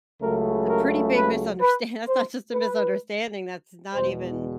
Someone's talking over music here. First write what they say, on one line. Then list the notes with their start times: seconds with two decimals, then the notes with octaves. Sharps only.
a pretty big misunderstand that's not just a misunderstanding, that's not even
0.22 C#2 C#3 F#3 A3 A#4
0.68 A#4
1.15 B4
1.61 B4
2.08 C5
2.54 B4
3.93 E2 B2 G#3 C5